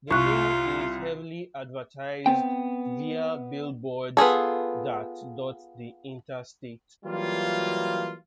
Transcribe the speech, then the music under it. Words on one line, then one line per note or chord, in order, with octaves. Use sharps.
The Thing is heavily advertised via billboards that dot the interstate.
C2 F4 C#6 F#6
B3 C4 G5
B3 F4 G#4 A4
E3 F#3 G3 A#3 F4